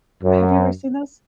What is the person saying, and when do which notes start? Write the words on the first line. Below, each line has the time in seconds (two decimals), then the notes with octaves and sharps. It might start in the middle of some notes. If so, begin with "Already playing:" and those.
Have you ever seen those?
0.23 F#2